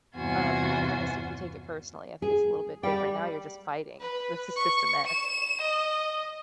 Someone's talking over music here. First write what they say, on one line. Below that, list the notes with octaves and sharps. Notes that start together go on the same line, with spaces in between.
Um, whereas, if you take it personally, I think it's a little bit different, now you're just fighting, this is just a mess.
E2 G2 C3 F4 F#4 G#5
G#4
G3 D5 G5
B4
C#6
E7
D#5